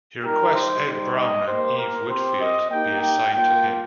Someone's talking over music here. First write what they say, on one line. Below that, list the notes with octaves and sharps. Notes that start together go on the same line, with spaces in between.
He requests Ed Brown and Eve Whitfield be assigned to him.
G3 D#4 G4 A#4
C5
G3 D#4 G4 C5
D#5
A#3 G4 C5
A#4
C4 G4 C5
D#5
A#3 D#4 G4 G5
G5
A#3 F4 G5